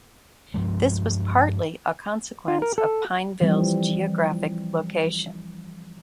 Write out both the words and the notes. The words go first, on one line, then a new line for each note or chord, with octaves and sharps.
This was partly a consequence of Pineville's geographic location.
G2 F3 G#3
F4
A#4
A4
E3 F3 G3 C4